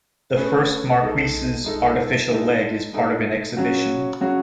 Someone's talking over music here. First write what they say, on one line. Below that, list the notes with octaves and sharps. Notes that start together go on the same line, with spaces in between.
The first Marquess's artificial leg is part of an exhibition.
A3 C#4 G#4 B4
G#3 D#4 A4
G#3 D#4 A4
G#3 D#4 A4
G#3 D#4 A4
C#3 F#3 C#4 F#4
C#3 F#3 C#4 F#4